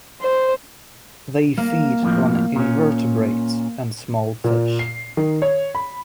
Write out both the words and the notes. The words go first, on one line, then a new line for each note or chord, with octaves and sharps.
They feed on invertebrates and small fish.
C5
A#3
F2 A2 F3
A#2 C#4
A#2
C7
D#3
C#5
B5